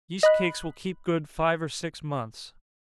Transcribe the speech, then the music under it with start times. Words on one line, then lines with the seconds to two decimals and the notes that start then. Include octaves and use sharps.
Yeast cakes will keep good five or six months.
0.23 D#5 B5 F#6